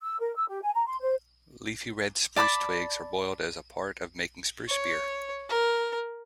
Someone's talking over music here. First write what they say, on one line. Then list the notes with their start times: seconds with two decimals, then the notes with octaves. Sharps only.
Leafy red spruce twigs are boiled as a part of making spruce beer.
0.01 E6
0.20 A#4
0.36 E6
0.48 G4
0.62 G#5
0.75 A#5
0.87 C6
1.02 C5
2.36 D5 A5 B5 D6
4.68 C#5
5.50 A#4